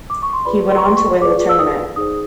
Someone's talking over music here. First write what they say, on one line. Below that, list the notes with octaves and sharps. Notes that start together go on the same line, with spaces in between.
He went on to win the tournament.
D6
C#6
C6
F4 G#4 B4 D5 B5
C6
C#6
C6
C#6
F4 G#4 B4 D5 D6
E6
D#6
D#4 G#4 C5 D#6